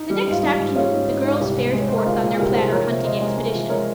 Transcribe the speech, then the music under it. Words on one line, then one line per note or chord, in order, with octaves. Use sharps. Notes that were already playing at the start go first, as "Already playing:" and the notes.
The next afternoon the girls fared forth on their platter hunting expedition.
Already playing: D#4
G3
G#2 F4
G3 D#4
G#2
G#2 C#4 F4
G#2
G#2
G#2
C2 D#4 G4
C2
G#3
C#5
G#3 C5
A#4
G#3 F4 G#4
A#2
G#4
C2 G4 A#4
C2 G#4 C5
F3 A#4 C#5
C3
C3 C5 D#5
G#3
G#3
F3
G#3 A#4 C#5